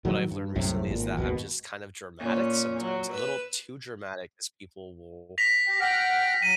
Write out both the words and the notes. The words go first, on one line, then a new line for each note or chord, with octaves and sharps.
what I've learned recently is that I'm just kind of dramatic sometimes. A little too dramatic, as people will
A2 D#3 F#3 G3
G2
C2 F#2 A2 C3
G#1 A#2
G#1 D#2 B2
A#2 C#4
F#3
B4 E6
A#6 B6 F7
G4
F#5 G5 F6 B6
F#3 D#7